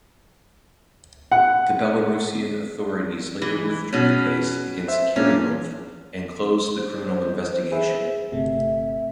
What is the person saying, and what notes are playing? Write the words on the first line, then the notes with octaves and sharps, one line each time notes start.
The Belarusian authorities later withdrew the case against Kerimov and closed the criminal investigation.
F#5
E3
B2 C#4
B4
C5 E5
A#2 A#3 C#4 D4
C5
G#4 B4 E5
G1 C3 A3 E5